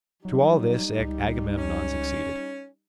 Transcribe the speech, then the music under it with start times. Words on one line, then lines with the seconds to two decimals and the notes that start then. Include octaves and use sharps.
To all this Agamemnon succeeded.
0.25 F#3 G3 D#4
0.99 C#2
1.57 C#4